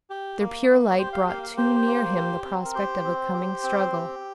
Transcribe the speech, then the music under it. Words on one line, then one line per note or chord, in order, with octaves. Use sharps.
Their pure light brought too near him the prospect of a coming struggle.
G4
A#3
A#3
D5
G4 C5
F5
A#3 F5
F5
G4 C5
A#3
G4
C4
A#4
G4 C5
C4
G4
C4
G4